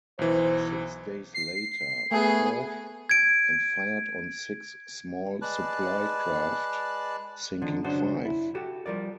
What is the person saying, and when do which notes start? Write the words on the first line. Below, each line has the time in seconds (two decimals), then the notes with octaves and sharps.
Six days later, "Perth" and fired on six small supply craft, sinking five.
0.19 B1 E3 C5
1.34 C7
2.11 A3 B3 G#4
3.09 G#6 D7
5.42 G#3 B4 D5 A5 F#6
7.62 D3 D#3 F3
7.84 F#2 C#3 D4 F#4 C5
8.25 E4
8.55 F#4 G4 A4
8.86 F3 G3 A#4 D5